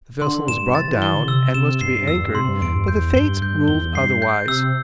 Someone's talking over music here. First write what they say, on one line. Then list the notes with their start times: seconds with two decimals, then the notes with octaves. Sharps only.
The vessel was brought down, and was to be anchored, but the Fates ruled otherwise.
0.22 D3 C6
0.48 G2 E7
0.75 C3 A6
0.88 E3
1.01 E3 G7
1.14 D3
1.28 C3 E6
1.54 C3 E7
1.81 G2 C7
1.94 G2
2.08 E2 E6
2.21 G2
2.35 C3 C6
2.48 G2
2.61 E2 D7
2.75 G2
2.88 E2 G6
3.15 G2 G7
3.42 G2 G6
3.68 E2 G7
3.95 G2 C7
4.22 G6
4.48 C3 E6